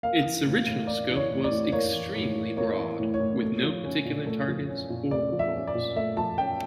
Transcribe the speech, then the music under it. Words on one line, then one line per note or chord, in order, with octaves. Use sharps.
Its original scope was extremely broad, with no particular targets or goals.
A#3 F5
E3
A2
A2
A#3 D5
E3
C#5
A2
D5
A2
A#3 C#5
E3
A2
A2
A#3 C#5
E3
A2
C#5
A2
A3
F3
C#4
A#2
A3
F3
C#4
A#2
A3 D5
F3
E5
C#4
D5
A#2
A3 E5
F3 A5
C#4 G5